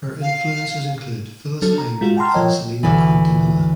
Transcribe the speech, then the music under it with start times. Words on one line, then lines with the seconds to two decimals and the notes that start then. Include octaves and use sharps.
Her influences include Phyllis Hyman and Selena Quintanilla.
0.22 F5
1.62 F#3 D4 A4
1.78 A#5
2.01 G#3 F4 F#4
2.17 F#5 G5 A5 A#5 C6 F6
2.34 F3 A#4 C#5 D#5 G5
2.83 D2 E3